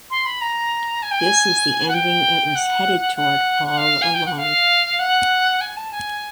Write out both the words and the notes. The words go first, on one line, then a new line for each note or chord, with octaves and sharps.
This is the ending it was headed toward all along.
C6
B5
A#5
G#5
G5
G#5
F#5
G5
F#5
F#5
F5
G#5
G5
F#5
F5
F#5
G#5
A5
G#5